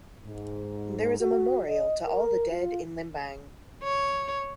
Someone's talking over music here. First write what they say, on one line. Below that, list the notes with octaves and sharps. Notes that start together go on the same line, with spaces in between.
There is a memorial to all the dead in Limbang.
G#2
F#4
D#5
A#4
F4
C#5